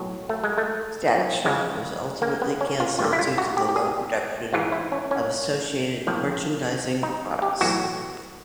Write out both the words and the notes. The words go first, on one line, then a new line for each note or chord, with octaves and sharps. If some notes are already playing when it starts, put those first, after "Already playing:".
"Static Shock" was ultimately cancelled due to the low production of associated merchandising products.
Already playing: B1 A2 F#3
A3
G#3
A3
E2 C#3 F3 G#3
A#3
B3
C#4
F4
G#1 G2 D3 F4
E4
F4
F#4
G4
G4
G#4
G#1 G#2 E3 G#3 F4
E4
C#4
C#4
A#1 A2 F3
D#4
G4
B1 A2 E3 F#4